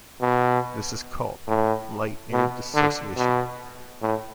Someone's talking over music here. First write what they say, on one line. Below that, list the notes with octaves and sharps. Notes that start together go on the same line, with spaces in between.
This is called "light-near dissociation".
B2
A2
B2
D3
B2
A2